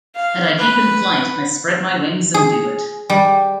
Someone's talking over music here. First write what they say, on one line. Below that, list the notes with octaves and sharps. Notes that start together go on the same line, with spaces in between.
And I keep in flight-I spread my wings and do it.
F5
B4
G#4
G3